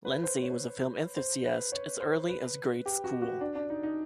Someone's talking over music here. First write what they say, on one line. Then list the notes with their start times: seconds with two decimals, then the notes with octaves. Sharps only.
Lenzi was a film enthusiast as early as grade school.
0.05 B4
0.23 C5
0.42 C#5
1.16 C5
1.45 B4
1.72 C#5
2.00 C5
2.28 B4
2.86 G4
3.04 F#4
3.22 F#4
3.41 D4
3.55 D4
3.70 D#4
3.83 D#4